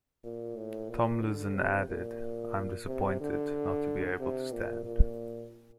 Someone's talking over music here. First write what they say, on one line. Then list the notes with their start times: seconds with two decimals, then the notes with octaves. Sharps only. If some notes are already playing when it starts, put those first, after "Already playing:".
Tomlinson added: I am disappointed not to be able to stand.
0.24 A#2
0.57 A2
0.90 A#2
1.23 D3
1.56 C3
1.89 A#2
2.88 C3
3.21 D3
4.20 C3
4.52 A#2
4.85 A#2